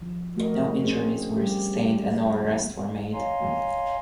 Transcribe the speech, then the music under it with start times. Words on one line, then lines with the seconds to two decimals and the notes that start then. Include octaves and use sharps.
No injuries were sustained and no arrests were made.
0.01 F3
0.36 A3 F#4 A#4 D#5
0.84 C4 C#4 G#4 C5
1.37 G3 G4
3.13 C#5 D#5 F5 G#5 A#5 C6